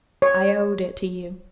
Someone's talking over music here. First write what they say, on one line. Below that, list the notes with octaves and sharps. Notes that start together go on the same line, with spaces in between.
"I owed it to you."
C#5